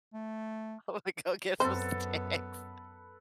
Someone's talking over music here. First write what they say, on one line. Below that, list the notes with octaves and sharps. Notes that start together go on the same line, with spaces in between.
"I'm gonna go get some snacks."
A3
F#2 B3 C4 A4 B4 C5